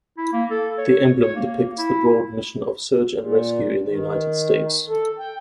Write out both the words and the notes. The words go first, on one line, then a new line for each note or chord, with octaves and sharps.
The emblem depicts the broad mission of search and rescue in the United States.
E4
A#3
A4
C#5
C#5
A#3
E4
A#2
D#3
A4
G5